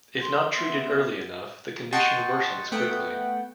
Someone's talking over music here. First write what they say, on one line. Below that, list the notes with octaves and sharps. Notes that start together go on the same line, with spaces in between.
If not treated early enough, the condition worsens quickly.
C6
B3 E5 C6
D#5 F#5 G5 A5 C6 C#6
A3 B3 F#5 G5